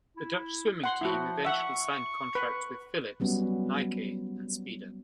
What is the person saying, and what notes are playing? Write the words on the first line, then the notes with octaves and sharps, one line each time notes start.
The Dutch swimming team eventually signed contracts with Philips, Nike, and Speedo.
E4
F#5 C6
F3 E4 F#4
E5 F#5 C#6
B4
F#3 G3 B3 C#4 F#4